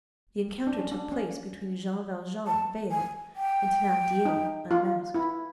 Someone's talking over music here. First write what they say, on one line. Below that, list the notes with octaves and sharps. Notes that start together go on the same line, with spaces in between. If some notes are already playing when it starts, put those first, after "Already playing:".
The encounter took place between Jean Valjean veiled and Thenardier unmasked.
D4
C#4
D4
C#4
A5
G#5
G5
D#4
F4
E4